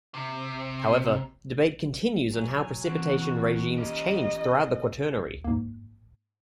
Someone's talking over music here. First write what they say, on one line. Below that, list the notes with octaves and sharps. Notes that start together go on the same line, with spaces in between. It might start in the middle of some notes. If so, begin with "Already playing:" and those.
However, debate continues on how precipitation regimes changed throughout the Quaternary.
C3
F#3 G#5
E3 C4 F#4
C#4 G4 A#4 D#5
G#2 A#3